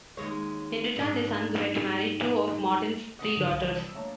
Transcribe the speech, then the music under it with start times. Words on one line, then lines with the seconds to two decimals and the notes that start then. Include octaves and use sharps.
In return their sons were to marry two of Morton's three daughters.
0.17 D#2 G#3 C#5
0.97 G#2 A#3 D4
3.19 D#5 F#5
3.37 G#2 D3 F#3 B3 A5
3.50 B1
3.62 C3 E3 G3 D4
3.76 A5 E6
3.95 A3 A#3 D4 C#5 A5 A#5